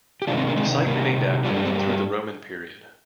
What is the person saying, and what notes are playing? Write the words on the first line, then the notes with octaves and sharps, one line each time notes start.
The site remained active through the Roman period.
G4
C3 D#3 G#3 D4 F4
C4 D#4
A#3 D4
G#3 C4
C3 D#3 G3 A#3
G2 D#3 G3 D4 F4
A#3 D4
G#3 C4
A#3
A#3